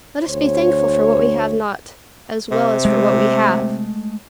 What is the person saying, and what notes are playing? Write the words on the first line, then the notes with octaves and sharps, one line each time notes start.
Let us be thankful for what we have not, as well as for what we have!
D2 C5 C#5
C3
G#3 A3